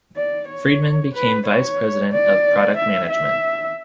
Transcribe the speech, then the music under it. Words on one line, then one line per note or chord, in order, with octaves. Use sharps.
Friedman became Vice President of Product Management.
D5
C#5
B4
C#5
D5
E5
E5